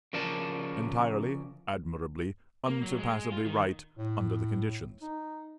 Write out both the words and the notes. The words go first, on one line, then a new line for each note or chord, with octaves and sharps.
Entirely, admirably, unsurpassably right, under the conditions.
C#3 F3 A#4 D5 A5
A#3
F#3
G#3
F4
D#3
A2
D#4